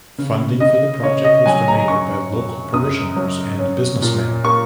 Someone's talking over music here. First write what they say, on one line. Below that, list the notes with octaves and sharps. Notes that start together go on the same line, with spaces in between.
Funding for the project was donated by local parishioners and businessmen.
C#3
C#3 D#5
C#3 C#5
D#5
F#3 G#5
A#5
F#2 C#6
F#2
F#2 D#6
F#3
C#4
A#2
A#3 C#6